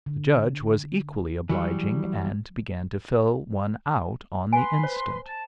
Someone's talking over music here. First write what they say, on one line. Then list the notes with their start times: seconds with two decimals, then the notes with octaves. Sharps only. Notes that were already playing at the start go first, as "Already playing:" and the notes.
The judge was equally obliging, and began to fill one out on the instant.
0.06 D3
1.49 E3 F#3 G3
4.53 B4 G#5 C6
4.83 C5
5.25 A5